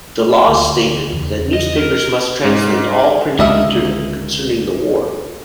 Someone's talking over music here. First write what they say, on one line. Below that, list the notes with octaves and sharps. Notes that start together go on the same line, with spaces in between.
The laws stated that newspapers must translate all printed material concerning the war.
D2
E2 C#3
D#5
A#4
G#2
C#2 D3 A#3 D#5 E5